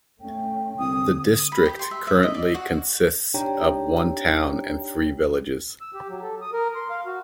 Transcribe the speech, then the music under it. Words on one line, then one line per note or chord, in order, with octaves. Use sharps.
The district currently consists of one town and three villages.
A3 C#4 G5
C2 D3 D#6
D#6
B5
G4
C6
E5
E5
D#5
D5
F#4
D4 D#4 G4 C#5 G5 A#5
E6
G4
F#3
A4
D#6
A#4
C6
F5
F#4